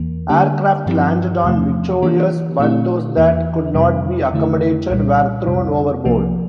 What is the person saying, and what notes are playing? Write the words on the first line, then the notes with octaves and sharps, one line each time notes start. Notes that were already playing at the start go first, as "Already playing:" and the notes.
Aircraft landed on "Victorious" but those that could not be accommodated were thrown overboard.
Already playing: E2 E3 A#3
D3 G3 A#3 D4 G4
G2 F3 C4 G4
E2 C3 F3 A3 C4
E3 A#3 D4 G4
A#2 A3 C4 E4 G4
E2 E3 A#3
F2 C3 G3
F2 D3 A3 E4
C2 A#2 G3
F2 C3 G3
C2 C3 F3 A#3